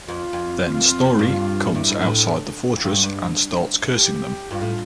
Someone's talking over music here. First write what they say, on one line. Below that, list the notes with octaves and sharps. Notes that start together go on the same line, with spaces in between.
Then Snorri comes outside the fortress and starts cursing them.
F2 F4
F2
F4
G2 F4
G2 E4
G2
A2
F2
G2
G2
G4
G2 F4
A2